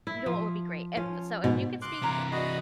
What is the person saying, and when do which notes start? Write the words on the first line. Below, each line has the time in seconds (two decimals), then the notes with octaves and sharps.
you know what would be great? If so if you could speak
0.07 E4
0.26 F3
0.97 F3 C#4
1.44 G#2 B2
1.82 C#3 C6 D6 F#6
2.03 C3 E3 A#3 C#5 A#5
2.32 F#4 G#4 D5 D#5 B5